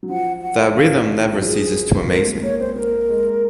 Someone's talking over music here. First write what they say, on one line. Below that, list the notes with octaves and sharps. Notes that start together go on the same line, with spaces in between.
That rhythm never ceases to amaze me.
F#3
F3 F#5
F#5
D#3 F5
F#3
F3 G#4
G#3 A#4
A#3
A#3 C#5
C4 C5
A#3 A#4
G#3